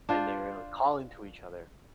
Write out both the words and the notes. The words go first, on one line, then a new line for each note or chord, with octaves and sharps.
and they're, like, calling to each other.
D4 F4 C5